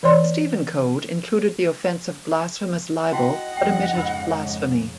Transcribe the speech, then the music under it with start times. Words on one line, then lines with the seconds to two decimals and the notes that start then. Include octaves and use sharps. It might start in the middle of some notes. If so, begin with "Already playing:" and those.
The Stephen Code included the offence of blasphemous libel but omitted blasphemy.
0.03 E3 C#5 D5 C6
3.11 E4 F#4 D#5 F#5 G5
3.57 F#1 F2 F3 G5
3.93 F2 G#2 C#3 D#4 B5 E6